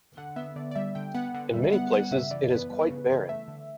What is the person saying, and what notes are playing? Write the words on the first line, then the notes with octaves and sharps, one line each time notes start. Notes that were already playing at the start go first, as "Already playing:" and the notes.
In many places it is quite barren.
D3 F#5
B3 E5
D3 D5
D5
G3 E5
D3 G5
B3 F#5
D3 F#5
G3 E5
B3 F#5
G3 F#5
C#3 E5
E3 D5
B3 B4
G3
C#3
E3
A3 E5
D3